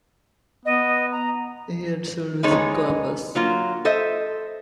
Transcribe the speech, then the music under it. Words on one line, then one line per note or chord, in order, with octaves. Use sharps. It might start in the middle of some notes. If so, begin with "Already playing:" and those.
He had sailed with Columbus.
B3 D#5
A#5
D3 G#3 B3 D#4 G#4 C#5
F#3 A#3 F4
A4 C5 D#5 E5